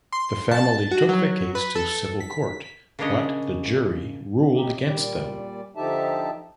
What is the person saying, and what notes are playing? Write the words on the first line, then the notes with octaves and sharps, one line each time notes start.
The family took the case to civil court but the jury ruled against them.
C6
A5
F#4
F#3
B4
A4
B6
C#3 A#3 C#4 D4 C#5 D#5
A2 D#4 G4
A#2 G3 D5
D3 F3 D#4 G4 E5 A5